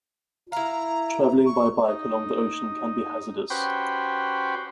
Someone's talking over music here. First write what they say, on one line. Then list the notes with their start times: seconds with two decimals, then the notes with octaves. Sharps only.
Traveling by bike along the ocean can be hazardous.
0.52 E4 F5 A#5
1.46 C#6
1.89 D#4
3.50 C#4 F#4 G4 B4 C5 G5